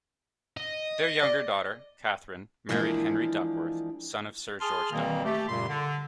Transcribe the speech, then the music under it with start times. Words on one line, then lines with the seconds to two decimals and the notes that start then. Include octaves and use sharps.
Their younger daughter, Katharine, married Henry Duckworth, son of Sir George Duckworth.
0.57 D#5
1.23 D5
2.69 E3 F3 G#3 A#3 D4
4.61 G#4 A5 C6 D#6 F6
4.91 B2 D#3 E3 G3 A#3 C4
5.25 A3 G4
5.48 F#2 A#2 C#3 G3 C6
5.68 D3